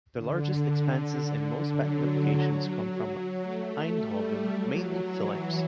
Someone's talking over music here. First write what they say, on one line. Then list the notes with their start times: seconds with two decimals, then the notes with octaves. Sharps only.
The largest expenses and most patent applications come from Eindhoven, mainly Philips.
0.15 D3
0.69 D3
1.78 F#3
3.42 A3
3.97 G3
4.52 F#3
5.06 E3